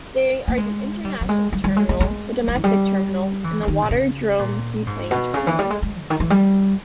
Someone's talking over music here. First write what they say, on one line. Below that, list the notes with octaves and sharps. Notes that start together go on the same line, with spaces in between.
They are the International Terminal, the Domestic Terminal and the waterdrome Seaplane Terminal.
A#3
G#3
G3
G3
G#3
G3
G3
G#3
G#3
G#3
G3
E3
G3
E3
C#3
D#3
B2
C#3
A#2
G#2
B2
C#3
E3
G3
G#3
G#3
C#3
D#3
E3
G3